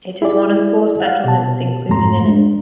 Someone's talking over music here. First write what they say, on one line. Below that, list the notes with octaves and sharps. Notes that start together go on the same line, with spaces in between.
It is one of four settlements included in it.
E4 G4 G#4 D5
F5 F#5
B2 G4 A5
F2 G#2 A3 A#5 C6
G#3 D4